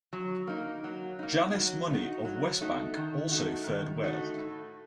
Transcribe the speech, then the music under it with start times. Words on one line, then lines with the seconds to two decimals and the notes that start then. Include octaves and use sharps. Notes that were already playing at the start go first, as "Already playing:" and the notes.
Janice Money of Westbank also fared well.
0.13 F#3
0.47 A#3 D#4
0.84 F#3
1.19 A#3 D#4
1.54 F#3
1.90 A3 D#4 F#4
2.25 F#3
2.61 A3 D#4 F#4
2.97 D#3
3.31 A3 D#4 F#4
3.67 D#3
4.03 A3 D#4 F#4
4.38 A2